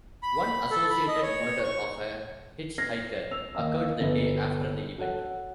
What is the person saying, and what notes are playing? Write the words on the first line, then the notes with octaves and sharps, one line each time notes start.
One "associated" murder of a hitchhiker occurred the day after the event.
B5
A4
B5
D#5
C#5
C#6
F6 G#6 A#6 C7
E6 F7
D#2 D#5 F5 E6
G1
F#4 A4 C#5 F#5